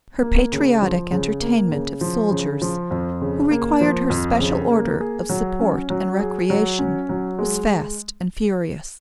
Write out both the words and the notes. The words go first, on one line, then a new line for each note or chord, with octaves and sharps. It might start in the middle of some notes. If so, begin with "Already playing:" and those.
Her patriotic entertainment of soldiers who required her special order of support and recreation was fast and furious.
A#3
C#3
F3
C#3
A#3
C#3
F3
C#3
F3
F2
C#3
A#3
F3
F2
C#3
A#3
G#4
F#3
C#4
F#3
G#4
F#3
C#4
F#3
G#3